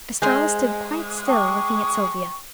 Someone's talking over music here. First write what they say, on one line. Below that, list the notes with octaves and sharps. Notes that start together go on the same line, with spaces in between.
Estralla stood quite still looking at Sylvia.
G#3 C5 D#5 G#5 G6
G5 A5 C#6 D6